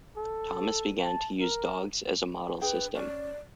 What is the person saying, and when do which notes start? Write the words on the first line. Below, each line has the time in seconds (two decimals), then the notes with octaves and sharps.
Thomas began to use dogs as a model system.
0.17 A4
1.05 A5
1.41 A#4
2.61 D4 G#4 B4 G5
2.95 C#4 D5